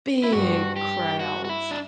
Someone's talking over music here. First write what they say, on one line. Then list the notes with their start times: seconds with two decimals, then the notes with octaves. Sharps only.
big crowds.
0.24 E4
0.32 G2 F#4
0.76 G4
1.20 F#4
1.45 F#4
1.49 E4
1.71 D4